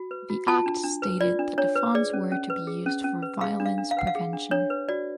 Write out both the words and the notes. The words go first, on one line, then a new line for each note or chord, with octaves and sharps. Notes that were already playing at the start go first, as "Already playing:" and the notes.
The act stated that the funds were to be used for "violence prevention".
Already playing: F#4
B4
F#4
F4 A5
D4
D4
B4
F4 D5
D4
D4 C#5
B4
G#4 D5
C#4
C#4
B4
G#4
C#4
C#4
B4
G#4 F5
D4
F5
D4
F5
B4 F#5
F5
G#4
D4
D4 C#5
B4
F#4 D5